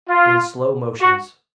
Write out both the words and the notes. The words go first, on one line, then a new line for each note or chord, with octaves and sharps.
In slow motions.
F4
F#4